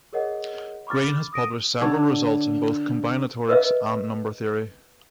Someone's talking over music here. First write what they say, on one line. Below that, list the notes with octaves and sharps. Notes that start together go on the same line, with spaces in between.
Green has published several results in both combinatorics and number theory.
G#4 A#4 C#5 D#5 F#5
B5 C#6 D6 F6 A6
D#6 A#6 D7 D#7
D3 D4 C#5
A#4 B4 D#5 E5